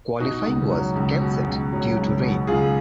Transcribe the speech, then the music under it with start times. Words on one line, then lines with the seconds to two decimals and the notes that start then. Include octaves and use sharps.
Qualifying was cancelled due to rain.
0.20 B2 D#4 F#4
0.46 C#2
0.71 F#3
0.96 C#2
1.21 B2
1.47 C#2
1.73 F#3
1.97 C#2
2.22 B2
2.47 C#2 F4 G#4